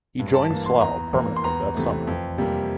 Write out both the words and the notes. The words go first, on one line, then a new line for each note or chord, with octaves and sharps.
He joined Slough permanently that summer.
G2
A5
E3 A#3 A5
C6
E2 A#5
E3 A#3
C6
E2 A#5
C3 E3 A3
F2
C3 G3 A#3